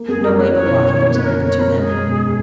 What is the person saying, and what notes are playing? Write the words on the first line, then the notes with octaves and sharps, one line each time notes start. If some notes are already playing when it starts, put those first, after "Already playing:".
No way but walking was open to them.
Already playing: A#3
F#2 G#4
A#3 A#4
F#2 B4
E4 C#5
B2
E4
A#3
F#2 B4
A#4
D#3
F#2 C#5
F#2 A#4
G#3 G#4 A#4
G#3
E1